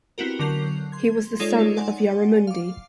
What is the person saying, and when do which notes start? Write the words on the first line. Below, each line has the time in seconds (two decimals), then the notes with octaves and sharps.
He was the son of Yarramundi.
0.18 B3 C4 E4 F#4 G4 A#4
0.39 D3 F#3 A#4 G6 C7 F7
0.92 C6 G#6
1.40 G#3 D#4 F4 A4 C#5 D5
1.77 D5 F#5 G#5 C6
2.47 F5 D6